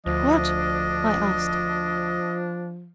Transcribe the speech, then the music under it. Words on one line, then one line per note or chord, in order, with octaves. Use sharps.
"What?" I asked.
D2 F3 D4 D#5